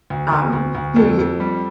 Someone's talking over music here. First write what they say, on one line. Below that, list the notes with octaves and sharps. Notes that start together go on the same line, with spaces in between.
um, you you
D2
D2
D2
D2
F2 A4
F2
G3